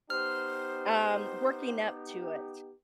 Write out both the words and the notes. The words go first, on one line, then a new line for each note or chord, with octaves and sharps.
um, working up to it.
B3 D#4 G4 C5 F6